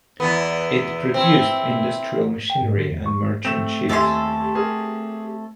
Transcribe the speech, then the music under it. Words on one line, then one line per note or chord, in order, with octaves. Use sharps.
It produced industrial machinery and merchant ships.
E2 E3 B3
C4 E4
G5
G#2
D3
E2
C#6
A3 C4 E7
D#2 E4 G4 A4 G#5 C6
G#4 A#4